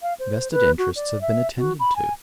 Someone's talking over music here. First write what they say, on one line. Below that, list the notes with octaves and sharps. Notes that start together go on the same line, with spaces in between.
Vested interests have been attended to.
F5
C5
B4
F#4
D5
E5
F#4
B5
G#5